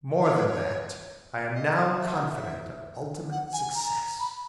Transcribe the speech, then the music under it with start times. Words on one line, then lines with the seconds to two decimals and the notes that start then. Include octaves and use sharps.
"More than that, I am now confident of ultimate success."
0.21 C#5
0.34 B4
0.46 C#5
1.54 D#5
1.98 E5
2.12 F#5
2.26 E5
3.31 F#5
3.53 G#5
3.76 A#5
4.20 B5